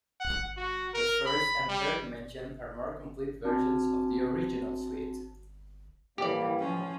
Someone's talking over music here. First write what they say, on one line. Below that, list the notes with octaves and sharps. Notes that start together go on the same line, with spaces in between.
The first and third mentioned are more complete versions of the original suite.
F#5
F#4
A#4
B5
G3
C4 D4 F#4 A5
A2 E3 G3 A#3 G4 D5
A2 F3 C#4